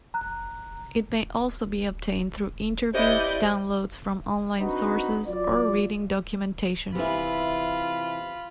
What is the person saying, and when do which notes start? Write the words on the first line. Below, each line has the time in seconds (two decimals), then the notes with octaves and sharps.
It may also be obtained through interviews, downloads from online sources, or reading documentation.
0.14 A#5 F#6
2.94 E4 G4 C5 D5 D#5 G6
4.61 C4 D4 D#4 F#4 B4
5.26 F#3 F4 D5
6.95 C3 E3 E4 F4 B5